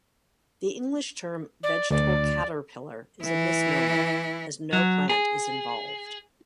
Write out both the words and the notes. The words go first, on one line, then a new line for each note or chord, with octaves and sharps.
The English term "vegetable caterpillar" is a misnomer, as no plant is involved.
D5
D2 D5
E3 E4
F#3
G#4